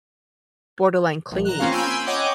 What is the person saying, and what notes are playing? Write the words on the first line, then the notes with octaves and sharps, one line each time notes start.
borderline clingy?
A#1
A#5 F#6
A#3 C4 C#4 F4 F5
G#5 B5 C6 E6 G6 D7
C#5 D#5 F#5 G5 D6